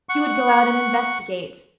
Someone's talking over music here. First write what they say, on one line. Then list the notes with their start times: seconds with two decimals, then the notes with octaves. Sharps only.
He would go out and investigate.
0.09 F#5 C#6